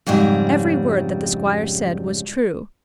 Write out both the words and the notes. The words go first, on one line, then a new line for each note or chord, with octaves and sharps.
Every word that the squire said was true.
F2 G#2 C#3 F#3 G3